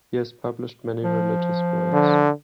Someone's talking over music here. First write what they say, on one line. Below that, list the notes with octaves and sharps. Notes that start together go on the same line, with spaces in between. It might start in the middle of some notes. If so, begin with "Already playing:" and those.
He has published many religious works.
F3
D3